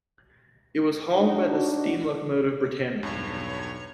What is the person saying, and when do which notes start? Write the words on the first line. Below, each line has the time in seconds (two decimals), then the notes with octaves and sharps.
It was hauled by the steam locomotive "Britannia".
1.15 D4 D#4 F#4
3.03 B1 E2 G2 C#5